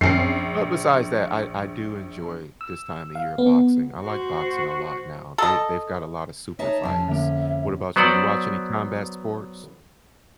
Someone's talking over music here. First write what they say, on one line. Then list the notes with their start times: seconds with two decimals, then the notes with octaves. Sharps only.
but besides that, I I do enjoy this time of year, of boxing I like boxing a lot now, they they've got a lotta super fights. What about you? You watch any combat sports?
0.01 A#1 F#2 C4 C#4 C7
2.61 E6
3.15 F5
3.38 B3
4.04 F#4 C5
5.38 A4 D#5
6.59 D#4 C#5 E5 A5
6.83 F2 C#4 A5
7.08 D3 A#3 E5
7.96 F#3 B3 C5 D5 F#5